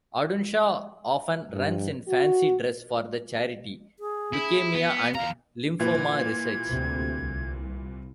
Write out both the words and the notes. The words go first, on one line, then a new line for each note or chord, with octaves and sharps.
Audenshaw often runs in fancy dress for the charity Leukaemia and Lymphoma Research.
G2
F#4
G#4
E4
B3
E2 F5 A#5
A#2 E3 G#6
D2 C3
C2